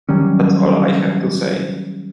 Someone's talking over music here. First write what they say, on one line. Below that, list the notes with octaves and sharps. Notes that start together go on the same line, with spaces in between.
That's all I have to say.
D#3 F#3 G3 C#4